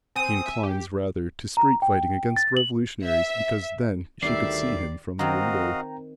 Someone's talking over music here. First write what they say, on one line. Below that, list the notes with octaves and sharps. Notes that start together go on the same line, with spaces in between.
He inclines rather to street fighting against revolutionaries--because then she could see him from the window.
C4 G#5 D#6 D#7
E5
G4
A#5
G5
A6
F#7
E5
D2 D#3 G3 D5 E5 C7
D#3 C4 F#4 D#5 F5 G5 A#5